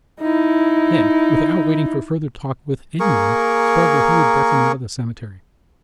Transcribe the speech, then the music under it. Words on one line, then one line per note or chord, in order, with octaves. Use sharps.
Then, without waiting for further talk with any one, Spargo hurried Breton out of the cemetery.
D#4 E4
A#3 G#4 A#4 C#6